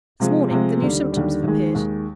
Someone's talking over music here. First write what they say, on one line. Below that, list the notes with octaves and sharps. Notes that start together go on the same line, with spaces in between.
"This morning the new symptoms have appeared."
C3 F3 G#3
C3 F3 G#3
D#2 D3 G3
D#2 D3 G3
D#2 D#3 G#3
D#2 D#3 G#3